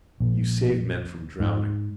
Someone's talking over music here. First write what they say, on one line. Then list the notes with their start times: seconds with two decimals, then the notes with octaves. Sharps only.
You saved men from drowning.
0.20 A#1
1.40 G#2